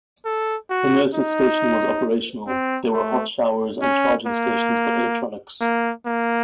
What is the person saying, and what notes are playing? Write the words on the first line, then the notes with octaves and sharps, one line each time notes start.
The nurses' station was operational; there were hot showers and charging stations for electronics.
A4
F#4
D#4
C4
A3
C#4
A#3
A#3
A#3